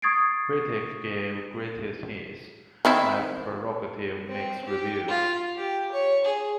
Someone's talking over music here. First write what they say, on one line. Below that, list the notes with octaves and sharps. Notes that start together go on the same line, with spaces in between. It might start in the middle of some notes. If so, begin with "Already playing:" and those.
Critics gave "Greatest Hits: My Prerogative" mixed reviews.
C#6 D#6 G#6 A6 C7 D7
D#3 C4 E4
C4
G4
F4
G4
C#5
G#4